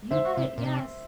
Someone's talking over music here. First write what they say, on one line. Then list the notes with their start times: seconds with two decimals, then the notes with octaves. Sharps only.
You got yes.
0.11 D3 C5 E5
0.37 C3
0.58 A#2
0.64 C3